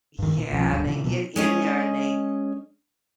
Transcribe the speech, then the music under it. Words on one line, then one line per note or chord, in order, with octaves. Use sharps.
Yeah and they get in there and they
G2 D#3
A#2
B1 B2 F3 C#4
D1 G2 D3
A#2 C#3 E3
B2 F#3
G#3 C#4 D#5